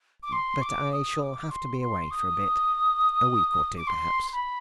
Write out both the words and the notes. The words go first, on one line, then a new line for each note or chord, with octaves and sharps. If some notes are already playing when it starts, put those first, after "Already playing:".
"But--I shall have to be away for a bit--week or two, perhaps."
D6
C6
D6
D#6
D6
C6
C6
D#6
D6
C6
B5